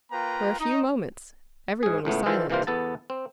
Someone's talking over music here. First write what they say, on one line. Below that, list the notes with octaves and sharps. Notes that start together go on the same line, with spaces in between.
For a few moments every one was silent.
A#3 F4 B4 G5 A#5
D#4
G#2 G#4
C#2 A2 A3 B3
D#3 E3 F4 A4 C5
C3 E3 G3 A#3 F4 C5
E2 B3 A4 A5
C4